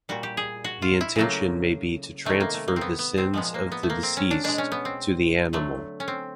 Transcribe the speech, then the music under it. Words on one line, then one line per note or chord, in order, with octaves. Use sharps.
The intention may be to transfer the sins of the deceased to the animal.
A#2 G3 F#4
G4
G#4
F#4
F4
E4
C#3 F#3 A3 A#3
C3 D#3 G3 A3
A#3
A3
A#3
C4
B3
B3
C4
A#2 F3 G#3 B3
A#3
B3
A3
A#3
C4
C#4
D4
B2 G#3 D4
C#4
B3
C4
D3 F#3 A3
C#4
C4